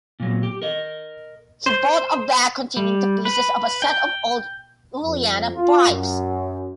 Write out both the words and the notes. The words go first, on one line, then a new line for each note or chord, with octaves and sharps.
He bought a bag containing the pieces of a set of old uilleann pipes.
A#2 F#3
G4
A#4 D#5
C5
G3
B4
G5
F2
F4
F#2